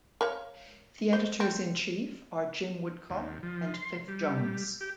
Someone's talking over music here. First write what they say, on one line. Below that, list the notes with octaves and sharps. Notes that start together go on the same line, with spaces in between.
The editors-in-chief are Jim Woodcock and Cliff Jones.
A#4 C#5 F5
C5 D#5
C4
D#2
F3
C6
G3
G4